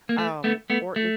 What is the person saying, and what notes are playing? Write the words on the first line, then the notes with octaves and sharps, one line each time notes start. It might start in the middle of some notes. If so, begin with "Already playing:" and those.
um, or
A#3
A3
A3 B3
A3 B3
A3